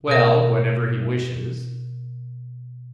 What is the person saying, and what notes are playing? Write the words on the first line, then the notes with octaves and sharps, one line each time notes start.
"Well, whenever he wishes?"
B2 A#4